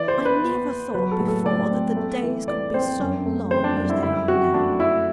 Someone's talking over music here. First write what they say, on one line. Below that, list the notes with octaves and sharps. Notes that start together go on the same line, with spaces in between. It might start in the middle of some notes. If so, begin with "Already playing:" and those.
"I never thought before that the days could be so long as they are now."
Already playing: E3 D5
C5
B3
B4
B3
B3
F#3 B4
A4
A2
A4
A2 D5
C4
A3
E3
E3 D5
C4 C5
F#2
A3
C4 C5
D4
F#2 D4
E4
D3 E4
C4 F#4
A3 D4
A3 E4